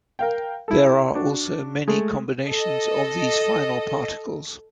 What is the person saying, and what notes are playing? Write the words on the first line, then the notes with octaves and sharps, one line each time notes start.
There are also many combinations of these final particles.
A#4 F5 G5
E4 A4
D4 F#4
G#3 A3 A4
A4 D#5